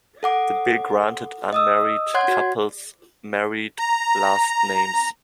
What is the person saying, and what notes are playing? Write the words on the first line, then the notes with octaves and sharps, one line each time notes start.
The bill granted unmarried couples married last names.
A4 F#5 D6
D#5 D#6 E6
C#5 F#5 C6 F#6 G#6
F#4
A#5